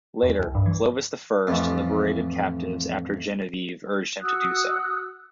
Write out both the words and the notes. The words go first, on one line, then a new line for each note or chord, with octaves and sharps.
Later, Clovis I liberated captives after Genevieve urged him to do so.
E2
C2
G2
E3
A1 F2
F#4 D#6 E6 F#6